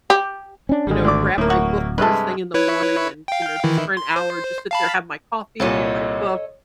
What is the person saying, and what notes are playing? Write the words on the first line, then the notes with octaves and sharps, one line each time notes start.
you know, grab my book first thing in the morning and, you know, just for an hour, just sit there, have my coffee, read my book,
G4
C#4 D4
G#1 D3 G3 G#3
D2 D5 D6
D1 A2 A#3
F#4
G2 C3 G#3 A4 B4
E4 B4 C#5
F5 G5
D#3 E3 E4
C6
C5
F5 A5 B5
C2 A#2 A4 C#5 D#5